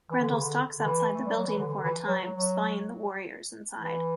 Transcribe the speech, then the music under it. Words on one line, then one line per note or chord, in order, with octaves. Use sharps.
Grendel stalks outside the building for a time, spying the warriors inside.
E3
D3
C#3
D3
D3
E3
A3
G3
F#3
E3
D3
D3
E3
F#3
F#3
E3